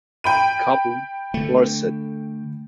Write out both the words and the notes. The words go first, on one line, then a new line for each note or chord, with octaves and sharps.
The couple divorced.
G5 B5 D#7
D3 A3